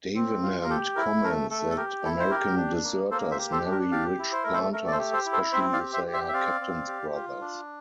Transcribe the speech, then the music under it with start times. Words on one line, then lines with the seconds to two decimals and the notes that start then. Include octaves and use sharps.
Davenant comments that American deserters marry rich planters, especially if they are captain's brothers.
0.15 C4
0.43 F4
0.64 A#4
0.69 G4 A4
0.96 E4 A#4
1.23 A3 A#4
1.50 A3 A4
1.70 A4
1.77 G4 A#4
2.04 E4 A4
2.19 C5
2.31 G4 A#4
2.57 D4
2.84 A#3
3.11 A#3 A4 C5
3.31 C5 E5
3.38 G4
3.52 A4 C5
3.65 D4
3.71 A#4
3.92 G4 D5 F5
4.19 E4
4.32 C5
4.44 A3 A#4
4.53 A4 C5
4.73 A3 A#4
4.88 D5
4.92 A4 C5
4.99 G4
5.13 A4 C5
5.26 E4
5.33 A4 C5
5.52 C4 C5 E5
5.73 D5 F5
5.79 G4
5.93 C5 E5
6.07 G4
6.13 C5 E5
6.28 E5
6.33 C4 D5 F5
6.61 C4
6.88 G4
7.14 F4
7.41 D4